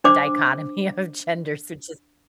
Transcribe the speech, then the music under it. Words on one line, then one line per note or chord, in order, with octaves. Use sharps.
a dichotomy of genders, which is
D4 C5 D6